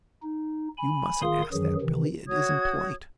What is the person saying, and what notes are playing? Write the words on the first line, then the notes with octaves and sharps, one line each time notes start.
"You mustn't ask that, Billie; it isn't polite!"
D#4
G#5 B5
D#3 F4 G#4 F5 C6 D#6
F#2 D#3 E3 F#3 G#4
C3 D#3 E3
F#4 C#5 D#6 G#6